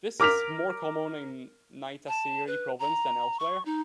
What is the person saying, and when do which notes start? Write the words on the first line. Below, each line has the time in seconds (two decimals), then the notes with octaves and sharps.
This is more common in Naitasiri Province than elsewhere.
0.20 A#4 D6 F6 B6 F7
2.08 A5
2.47 B4
2.79 A#5
3.40 C#6
3.65 D#4